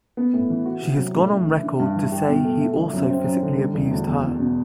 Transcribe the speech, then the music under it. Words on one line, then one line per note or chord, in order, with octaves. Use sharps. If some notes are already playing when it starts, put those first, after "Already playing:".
She has gone on record to say he also physically abused her.
B3
A2
E3
F#4
C3
F#3
A2
A2
E3
D4
G2
E3
G4
B2
A3
A3
G1
F#2
C4
F#2
D3
G3
E1
D2
E2
E2
B2